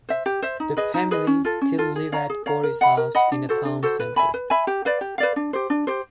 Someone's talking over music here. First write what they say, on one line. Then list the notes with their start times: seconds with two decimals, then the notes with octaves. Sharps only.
The family still live at Borris House in the town centre.
0.09 C5 E5
0.26 G4
0.42 C5 E5
0.60 D#4
0.77 G#4 B4 D#5
0.94 D#4
1.11 G#4 B4 D#5
1.27 C#4
1.45 F4 A4
1.61 C#4
1.78 F4 A4
1.96 G#4
2.12 C#5 F5 A#5
2.30 G#4
2.46 C#5 F5 A#5
2.63 A#4
2.81 D#5 F#5 B5
2.97 A#4
3.15 D#5 F#5 B5
3.32 D4
3.49 F#4 A4 C5
3.65 D4
3.83 F#4 A4 C5
4.00 B4
4.16 E5 G#5 B5
4.34 B4
4.50 E5 G#5 B5
4.67 G4
4.85 B4 D5 F5
5.01 G4
5.18 B4 D5 F5
5.36 D4
5.53 G4 C5
5.70 D4
5.87 G4 C5